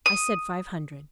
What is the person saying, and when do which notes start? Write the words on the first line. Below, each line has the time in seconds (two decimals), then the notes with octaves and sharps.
"I said five hundred."
0.06 D#6